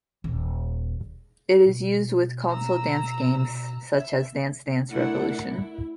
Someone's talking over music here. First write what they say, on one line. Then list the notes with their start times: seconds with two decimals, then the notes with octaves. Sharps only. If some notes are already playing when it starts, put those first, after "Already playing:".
It is used with console dance games such as Dance Dance Revolution.
0.24 D#1
1.65 B2
2.48 A#5 E6
3.96 E5
4.90 A3 D4 E4 A#4 F#5
5.40 E4